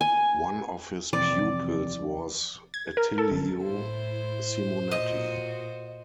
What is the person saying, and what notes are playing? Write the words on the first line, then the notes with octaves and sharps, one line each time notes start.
One of his pupils was Attilio Simonetti.
G#5
F2 C3 E3 D5
G#6
A#4
A4
G1
A2 E4 C5
A#2 F#4 D#5